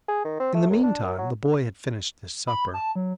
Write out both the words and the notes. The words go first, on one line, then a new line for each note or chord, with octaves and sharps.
In the meantime the boy had finished his supper.
G#4
D#3
C4
A3
F#2
D4
F#2
F#3
B5
A5
F#3